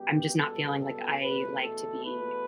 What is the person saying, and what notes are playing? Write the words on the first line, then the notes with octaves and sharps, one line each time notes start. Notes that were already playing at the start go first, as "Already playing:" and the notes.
I'm just not feeling, like, I, like, to be
Already playing: C#2 B2 G3 B3 G4
A4
A4
E2 B2 A3 B4
A4
B4